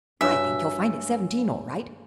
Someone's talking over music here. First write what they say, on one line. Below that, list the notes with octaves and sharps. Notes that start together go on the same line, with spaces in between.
I think you'll find it's seventeen all right.
G2 F#3 C#5 E5 G#5